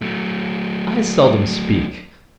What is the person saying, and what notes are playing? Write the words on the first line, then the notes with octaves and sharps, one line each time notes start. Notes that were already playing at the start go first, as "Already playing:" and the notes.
I seldom speak.
F#3 A3